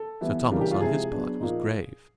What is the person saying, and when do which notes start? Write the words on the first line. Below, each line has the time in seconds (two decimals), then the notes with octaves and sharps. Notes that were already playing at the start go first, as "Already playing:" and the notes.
Sir Thomas, on his part, was grave.
Already playing: A4
0.21 E3 G3 B3 E4
0.51 C#3 E3 G3 A#3 D4
0.61 G4
0.71 F4
0.81 C3 F3 G#3 C4 E4 G#4
1.11 F#3 B3 D4
1.40 A#2 F3 A#3 D#4